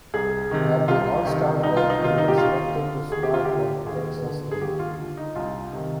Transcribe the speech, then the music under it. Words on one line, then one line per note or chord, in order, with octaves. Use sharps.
At the all-star break he was selected to start for the Texas League.
C2 G#4
C3 D#3
C2 F4
C3 D#3
C2 D#4
F4
D#4
C3 D#3 F4
D#4
G4
D#2 F4
D3
D#2 G#4
G4
F4
D3 G4
D#2 G#4
D3
G#4
D#2 G4
F4
D3
D#4
C2 F4
C3 D#3